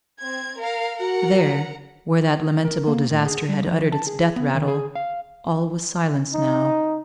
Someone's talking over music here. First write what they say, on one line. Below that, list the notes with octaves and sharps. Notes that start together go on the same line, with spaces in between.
There, where that lamentable disaster had uttered its death-rattle, all was silence now.
C4 G#6
A#4 F5
F#4 A#4 F#5 A#5
A#4
A#3
A2
G#4
G3
F3
A5
G#4
B3
D#3
G#4
F5
D#4